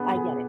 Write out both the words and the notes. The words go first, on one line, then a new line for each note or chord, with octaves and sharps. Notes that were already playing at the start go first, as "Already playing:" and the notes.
I get it.
Already playing: B3 D4 G#4
G#4